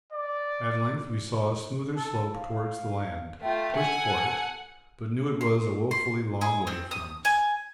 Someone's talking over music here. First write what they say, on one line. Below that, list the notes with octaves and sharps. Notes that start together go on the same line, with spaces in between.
At length we saw a smoother slope towards the land, pushed for it, but knew it was a woefully long way from us.
D5
A4
F5
A3 F4 G5
A4 F#5 G#5
C6
C6
G#4
C4
D#6
G#5